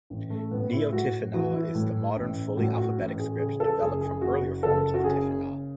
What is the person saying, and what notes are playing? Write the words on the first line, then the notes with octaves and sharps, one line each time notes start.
Neo-Tifinagh is the modern fully alphabetic script developed from earlier forms of Tifinagh.
A1
A3
A2 B3
E4
A2 F#4
E3 F#4
E4
A2
A1
A2 F#4
F#4
A1
G#4
C#3 G#4
A4
F#1 G#4
G#4
F#1 F#4
F#1 A4
F#4
C#3 G#4